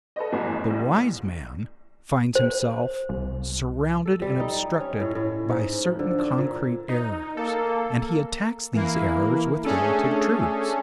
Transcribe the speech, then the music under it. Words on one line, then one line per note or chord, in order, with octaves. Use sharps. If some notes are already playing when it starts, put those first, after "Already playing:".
The wise man finds himself surrounded and obstructed by certain concrete errors, and he attacks these errors with relative truths.
A4 B4 C5 D#5
A1 F#2 F#4 G#5
A3
C2
C5
C2
A4
G3
D#4
C#4
A2
A2
G#2
F3
D3
D4
A#2
D#4
A#3 A4
E3 A#3 E4
A3 C#4 D4 G#4 A4